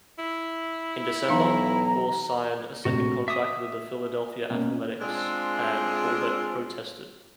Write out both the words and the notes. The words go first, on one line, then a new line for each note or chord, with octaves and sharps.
In December, Force signed a second contract with the Philadelphia Athletics, and Hulbert protested.
E4
B1 E3 D#4 F5 A#5
A#1 A2 C3 F#4
E5 D6 D#6
B2 A#3 C#4
G#3 C4 D4 F4 G#4